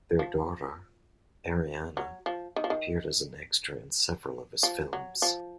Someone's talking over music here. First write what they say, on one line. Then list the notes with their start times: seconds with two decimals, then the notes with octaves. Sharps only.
Their daughter, Arianne, appeared as an extra in several of his films.
0.19 F3
1.97 F#3
2.26 F3
2.56 D#3
2.64 F3
2.70 D#3
4.63 F3
4.93 F#3
5.22 F3